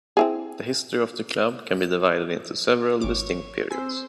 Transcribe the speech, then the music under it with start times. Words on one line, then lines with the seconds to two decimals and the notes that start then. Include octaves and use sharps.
The history of the club can be divided into several distinct periods.
0.17 C4 E4 G#4
3.01 G#1 C#5 D6
3.71 C4 C5 G#5 E6 B6 C7